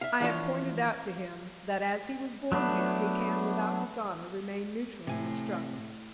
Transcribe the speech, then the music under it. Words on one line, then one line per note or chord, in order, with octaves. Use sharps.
I have pointed out to him that as he was born here he can without dishonor remain neutral in the struggle.
E5 F5
E3 F3 D4 F4 C#5
F#3 A3 B3 D4
A2 C3 G#5